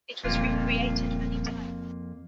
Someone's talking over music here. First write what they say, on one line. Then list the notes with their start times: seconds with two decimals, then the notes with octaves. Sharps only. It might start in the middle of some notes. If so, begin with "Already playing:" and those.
It was recreated many times.
0.24 D#1 F2 A#3 F4